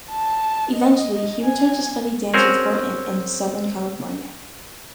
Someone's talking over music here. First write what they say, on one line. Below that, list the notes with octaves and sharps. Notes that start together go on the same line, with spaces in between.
Eventually, he returned to study dance with Horton in southern California.
A5
D#5
G#5
C4 C#4 F#4 G#4 A#4